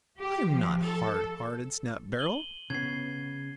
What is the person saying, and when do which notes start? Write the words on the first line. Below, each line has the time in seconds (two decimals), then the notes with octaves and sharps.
"I am not hard-hearted," snapped Beryl.
0.19 G4
0.48 F3
0.82 A4
2.19 D#7 F#7 G7
2.70 C#3 B3 G#6 C7